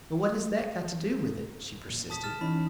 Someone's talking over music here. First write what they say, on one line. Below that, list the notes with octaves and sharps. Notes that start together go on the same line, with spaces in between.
"But what has that got to do with it?" she persisted.
A#2
A5 D#6 B6
F6 A6 E7
E3 C#4 D#4 B5